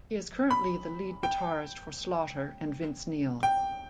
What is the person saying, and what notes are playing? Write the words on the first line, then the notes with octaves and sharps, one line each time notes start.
He is currently the lead guitarist for Slaughter and Vince Neil.
B5
G5
G5